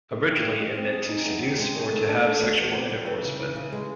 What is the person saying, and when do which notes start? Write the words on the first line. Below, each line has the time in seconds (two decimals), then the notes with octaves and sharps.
Originally, it meant "to seduce" or "to have sexual intercourse with".
0.11 D#3
0.27 G2
0.43 G#3
0.60 G#3
0.76 C4
0.92 G#4
1.09 D#4
1.26 E2
1.42 C3
1.58 G#3
1.75 D#3
1.91 A3
2.08 D4
2.25 A3
2.41 F#4
2.57 E2
2.74 C3
2.90 G3
3.06 E3
3.23 C#3
3.39 E3
3.56 C#3
3.72 G#3